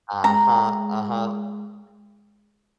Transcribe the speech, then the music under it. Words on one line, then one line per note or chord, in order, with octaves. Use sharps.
Uh-huh, uh-huh,
G#3 A#5